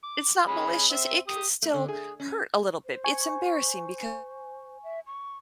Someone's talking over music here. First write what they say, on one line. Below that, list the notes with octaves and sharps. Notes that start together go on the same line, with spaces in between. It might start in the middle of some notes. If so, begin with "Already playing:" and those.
it's not malicious, it can still hurt a little bit. It's embarrassing because,
D6
G#3 C#4 B5
C4 E5
G4 D#6
A3
D3
G#4
C#4
C5
G#5 C#6
E5
C#6